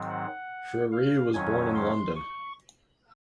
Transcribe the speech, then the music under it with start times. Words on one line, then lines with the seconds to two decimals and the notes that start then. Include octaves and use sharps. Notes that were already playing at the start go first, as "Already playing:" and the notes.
Frere was born in London.
Already playing: G#2 D#3 F#3 C4
0.10 F#5
0.92 F5
1.33 F2 D#3 F#3 C#4 G#5
1.75 C6
2.16 C#6